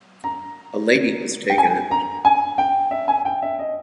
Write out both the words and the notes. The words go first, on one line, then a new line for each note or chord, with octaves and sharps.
A lady has taken it.
A#5
G5
G#5
A#5
G#5
G5
E5
G#5
G5
E5
D#5